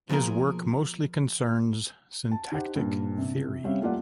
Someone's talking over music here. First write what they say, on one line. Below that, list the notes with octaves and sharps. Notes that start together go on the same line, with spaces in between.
His work mostly concerns syntactic theory.
B2 F3 A#3 G#4 A#4
A5
D#4 G4 C5 F#5
G2 A#2
C3
G3 C4 C#4 C#5 E5 F5
G3 A3 A#3 F4 D5 F#5